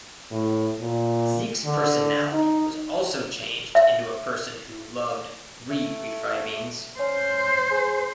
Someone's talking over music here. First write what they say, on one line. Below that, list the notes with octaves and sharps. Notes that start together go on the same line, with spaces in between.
Zeke's personality was also changed into a person who loved 're-refried beans'.
A2
A#2
D3
D#4
E5
A3
C#4 C5
G#4